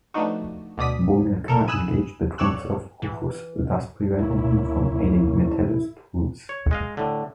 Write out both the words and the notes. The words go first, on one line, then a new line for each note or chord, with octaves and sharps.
Bomilcar engaged the troops of Rufus, thus preventing him from aiding Metellus' troops.
F3 A3 B3 D4 D#4 F#4
D2 B2 D5 D#6 B6
A4 A#4
G#5 B5 D#6 E6 F#6
C#5 D5 C#6 E6 F#6
E3
D2 A#3 C#4 E4
C#5
G#3 D#5 F5
A2 D3